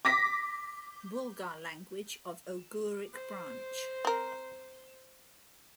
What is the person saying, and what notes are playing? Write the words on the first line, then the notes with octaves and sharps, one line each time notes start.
Bulgar language of Oghuric branch.
D6 A#6 B6
C5
C4 A#4